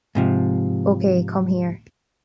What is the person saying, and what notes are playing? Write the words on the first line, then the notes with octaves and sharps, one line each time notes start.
Okay, come here.
G#2 C3 F3